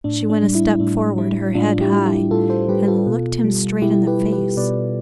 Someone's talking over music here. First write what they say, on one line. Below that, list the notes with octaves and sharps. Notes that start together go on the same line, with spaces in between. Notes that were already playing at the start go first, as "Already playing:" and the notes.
She went a step forward, her head high, and looked him straight in the face.
A2 D4
D4
G3
E4
A2 D4
G3 E4
A2 D4 F4
E4 G4
G3
E4 G4
A2 F4 A4
A4 C5
G3 G4 B4
F4 A4
B2
G3
B2 E4 G4
G4 B4
G3
G4 B4
B2 B4 D5